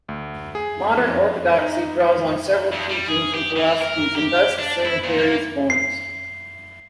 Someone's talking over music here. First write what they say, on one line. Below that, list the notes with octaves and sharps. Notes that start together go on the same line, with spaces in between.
Modern Orthodoxy draws on several teachings and philosophies, and thus assumes various forms.
D2
G#4
F2
D#4
F3
F2
G3
G#4
G4
E3
A#4
G4
D4
E4
A#2
A#3
C7